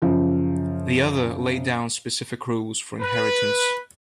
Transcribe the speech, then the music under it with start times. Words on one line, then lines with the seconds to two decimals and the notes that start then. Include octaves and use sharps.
The other laid down specific rules for inheritance.
0.02 F#2 C#3 F3
3.01 B4